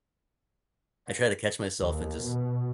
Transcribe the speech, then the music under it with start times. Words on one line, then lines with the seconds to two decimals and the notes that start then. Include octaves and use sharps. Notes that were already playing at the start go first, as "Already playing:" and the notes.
I try to catch myself and just
1.81 D#2
2.24 B2